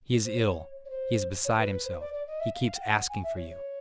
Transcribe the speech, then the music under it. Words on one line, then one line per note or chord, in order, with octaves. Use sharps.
He is ill, he is beside himself, he keeps asking for you.
C5
C#5
C#5
C5
C#5
B4
B4
C5
D5
D5
D#5
E5
F5
G5
F#5
G#5
E5
C#5
C#5